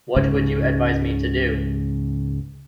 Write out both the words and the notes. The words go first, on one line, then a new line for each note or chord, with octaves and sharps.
What would you advise me to do?
C#2 G#2 C#3